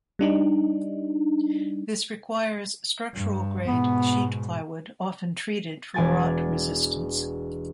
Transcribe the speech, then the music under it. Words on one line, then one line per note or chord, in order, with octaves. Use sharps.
This requires structural grade sheet plywood, often treated for rot resistance.
G3 D4 D#4
G2
G#2 B2 B3
E1 D5 G#5 G#6 A6